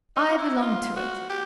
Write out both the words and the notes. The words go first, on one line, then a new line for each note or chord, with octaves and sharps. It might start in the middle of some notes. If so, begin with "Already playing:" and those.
I belong to it.
D#4
F4
E4
E4
F4
F#4
G4